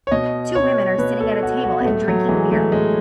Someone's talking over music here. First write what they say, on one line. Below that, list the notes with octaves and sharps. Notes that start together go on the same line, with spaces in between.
Two women are sitting at a table and drinking beer.
C#5
B2 D#5
C#5
B2 B4
A4
F#4
F#4
B3
A2 A3
F#3
E3 G#3
A3
A2 G#3